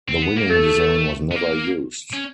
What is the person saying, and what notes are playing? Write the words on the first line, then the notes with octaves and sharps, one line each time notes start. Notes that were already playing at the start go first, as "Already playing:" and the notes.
The winning design was never used.
C4
B3
A#3
A3 A4
B3
A#3
C#4